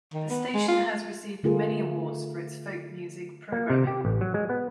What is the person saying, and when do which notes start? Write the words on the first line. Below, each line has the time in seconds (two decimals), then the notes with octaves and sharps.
The station has received many awards for its folk music programming.
0.14 D#3
0.30 B3
0.54 G#3
0.68 F4
1.43 D3 A3 F4 G#4 A#4
3.52 A#3
3.70 C3
3.87 G4
4.05 A1
4.21 F#3
4.34 G#3
4.49 B3